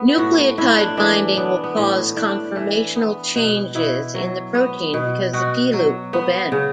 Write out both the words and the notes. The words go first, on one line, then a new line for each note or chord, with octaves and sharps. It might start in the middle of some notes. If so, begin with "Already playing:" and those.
Nucleotide binding will cause conformational changes in the protein because the P-loop will bend.
Already playing: B3
A2 F#4
A2 E4
D4
E3 D4
B3 D4
B3
A2
A2 D4
E3
B3
B2
B2 E4
F#3
B3
B2
B2 F#4
F#3
B3
C#3